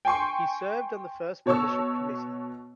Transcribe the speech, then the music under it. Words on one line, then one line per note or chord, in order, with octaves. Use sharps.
He served on the first membership committee.
G5 G#5 C6 C#6
B2 C#5 A5 C#6 E6